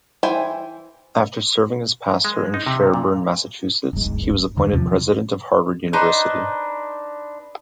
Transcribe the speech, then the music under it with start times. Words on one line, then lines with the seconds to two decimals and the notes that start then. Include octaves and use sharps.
After serving as pastor in Sherborn, Massachusetts, he was appointed president of Harvard University.
0.23 E3 E4 C5 G5 G#5
2.25 G#3
2.54 D#4
2.66 C3
2.94 A#2
3.93 D1 G1 G#2 G#3
4.56 F2 D3 G3
4.73 E2 C3 F3
5.93 D4 D#4 B4 C5